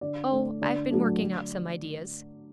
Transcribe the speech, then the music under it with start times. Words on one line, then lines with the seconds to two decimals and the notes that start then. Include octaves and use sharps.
'Oh--I've been working out some ideas.'
0.01 D3 D5
0.31 A3
0.61 D3 D5
0.90 F#3 A3
1.21 D3